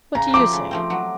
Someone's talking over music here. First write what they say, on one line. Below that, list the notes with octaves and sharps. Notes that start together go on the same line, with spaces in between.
What do you say?
C#3 A#5
F3 A3 C4 D6
C#3
F3 A3 C4
F#3